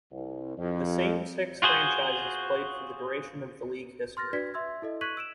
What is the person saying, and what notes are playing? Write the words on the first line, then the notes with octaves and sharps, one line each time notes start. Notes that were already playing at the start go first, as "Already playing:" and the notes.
The same six franchises played for the duration of the league history.
C2
F2
F4 F#4 G#4 C5
C6 F6 A6 A#6
D4 F#4 B4 D5 G#6 B6
E5 C6 E6 G#6
E4 A4 D#5
C#6 F#6 G#6 B6 D#7 F#7
E6 D7 E7